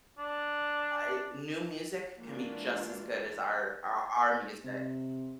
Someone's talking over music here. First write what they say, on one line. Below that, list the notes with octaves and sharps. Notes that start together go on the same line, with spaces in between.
I new music can be just as good as our our our music.
D4
E3 G#3 A#3 D4 F4 F#4
C3